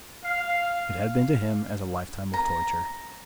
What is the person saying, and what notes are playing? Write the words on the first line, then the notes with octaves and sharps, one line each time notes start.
It had been to him as a lifetime of torture.
F5
A#5